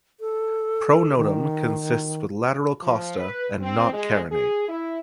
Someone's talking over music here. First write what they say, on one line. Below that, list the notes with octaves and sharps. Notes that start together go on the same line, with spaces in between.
Pronotum consists with lateral costa and not carinate.
A4
D#3
F3
B4
C4
G#3
G#4
E4